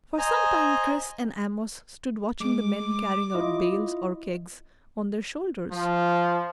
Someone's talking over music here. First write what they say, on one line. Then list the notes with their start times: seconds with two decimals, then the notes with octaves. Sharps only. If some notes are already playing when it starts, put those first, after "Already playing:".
For some time Chris and Amos stood watching the men carrying out bales or kegs on their shoulders.
0.18 C5 D#5 G#5 A#5
2.40 G#3 D6
3.35 E4 F4 D#5
5.71 F3